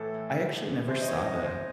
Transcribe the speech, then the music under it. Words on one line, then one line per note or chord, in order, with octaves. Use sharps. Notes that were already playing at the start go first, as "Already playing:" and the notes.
I actually never saw the
Already playing: A2 E3 A4
C3 E3 C5
D#5
C#5
D#5
C5